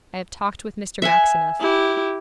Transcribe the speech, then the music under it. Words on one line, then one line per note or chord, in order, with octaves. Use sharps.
I have talked with Mr. Maxineff.
E5 F#5 G#5
E4 G4